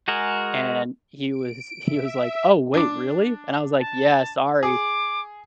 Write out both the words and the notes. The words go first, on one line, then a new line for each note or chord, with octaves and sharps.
And he was he was like, “Oh, wait really?” And I was like, “Yeah sorry,
G#3 F#4 G#4 A#4
D7
E5
D4 D6
A5
G#4 D6